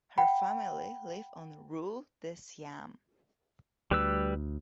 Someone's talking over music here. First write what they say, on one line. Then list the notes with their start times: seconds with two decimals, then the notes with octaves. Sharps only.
Her family lived on rue de Siam.
0.18 F#5 G5 B5
3.91 D2 G3 B4 E6